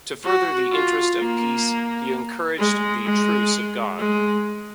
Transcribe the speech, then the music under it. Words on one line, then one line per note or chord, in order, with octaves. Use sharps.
To further the interest of peace, he encouraged the Truce of God.
F#4
F4
A#3
G#3
G#3
G#3